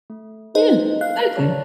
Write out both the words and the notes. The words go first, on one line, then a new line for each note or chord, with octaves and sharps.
Yeah, exactly.
A3
D#4 B4 C5 D#5
F5 F#6
C#5 D5 A5